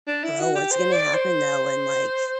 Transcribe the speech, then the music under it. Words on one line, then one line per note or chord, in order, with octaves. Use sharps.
Bro, what's gonna happen though when, like
D4
E4
F#4
G4
C5
D5
C5